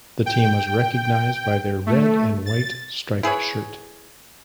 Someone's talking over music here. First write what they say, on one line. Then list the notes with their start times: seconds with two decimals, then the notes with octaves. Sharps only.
The team was recognised by their red and white striped shirt.
0.26 G5
1.86 A3
2.46 A6
3.23 E4 G#4 B4 C#5